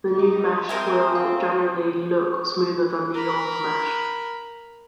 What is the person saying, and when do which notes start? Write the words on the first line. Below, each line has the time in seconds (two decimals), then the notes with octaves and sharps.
The new mesh will generally look smoother than the old mesh.
0.15 D#4
0.69 C4 A#4 C5 E5 G#5
1.15 F5
3.14 A#4 B5